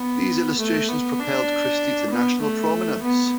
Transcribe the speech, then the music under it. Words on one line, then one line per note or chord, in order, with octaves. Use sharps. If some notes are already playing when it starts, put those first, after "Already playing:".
These illustrations propelled Christy to national prominence.
Already playing: B3
A3
B3
D4
B3
A3
B3